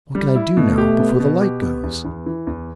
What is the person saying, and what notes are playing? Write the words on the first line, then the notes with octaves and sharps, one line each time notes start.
What can I do now, before the light goes?'
G3
E4
B2 A3
G4
B3
B2
G4
B3
E2
E2
E3
E2